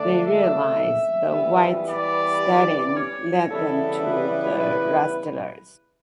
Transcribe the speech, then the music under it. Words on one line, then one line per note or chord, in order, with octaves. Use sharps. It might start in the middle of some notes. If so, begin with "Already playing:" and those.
They realize the white stallion led them to the rustlers.
Already playing: D3 A3 D4 D5
E5
E3 G3 B3
D5
C#5
C#3 E3 G3 B3 E4 A4
B4
B4